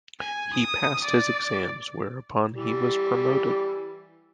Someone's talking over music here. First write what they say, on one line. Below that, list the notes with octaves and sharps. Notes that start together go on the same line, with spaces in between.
He passed his exams, whereupon he was promoted.
G#5
D#6
D5
E3 G3